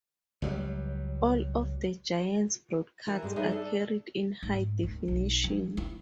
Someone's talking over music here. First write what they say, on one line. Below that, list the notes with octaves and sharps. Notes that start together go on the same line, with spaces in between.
All of the Giants broadcasts are carried in high definition.
C#2 F#3 G3
E3 F#4 A#4
G2 G#3 D4 G4
G3 D#4 G#4 B4 C#5 E5
D4 A4 D5
G#2
D#2
B1
F3
E4